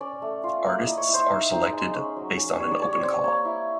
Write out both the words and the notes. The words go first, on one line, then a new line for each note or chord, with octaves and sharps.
Artists are selected based on an open call.
C#4 D5
A3
F4
A#3 D5
D#5
E4
C#5
E4
C5
D#4
D#4
G#3
C#4
F#3
C#4
G3 C#5
D5
G3 C#5
C4
A#3 C#5
E4